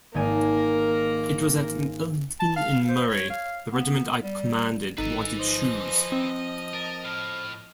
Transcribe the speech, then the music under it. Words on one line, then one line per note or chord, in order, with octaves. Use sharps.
It was at Elgin in Murray, the Regiment I commanded wanted shoes.
G#1 G#3 A#3 A#4 G#5
A5
F5
C5
C#5
F5
B3
G3
G#1 D#4 A4 B4 G#5
F3 C5 D#5
C4
A#4 A5
A2 F6